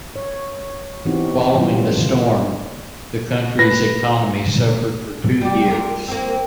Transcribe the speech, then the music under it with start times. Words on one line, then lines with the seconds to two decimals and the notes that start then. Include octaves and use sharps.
Following the storm, the country's economy suffered for two years.
0.16 C#5
1.05 E3 B3 C4 D#4 F#4 G4
1.54 E3 F#3 G3 C#4 F4
3.59 B4 A#6
5.41 G3 G4
5.66 F4 G4 A#4
6.08 A#3 C4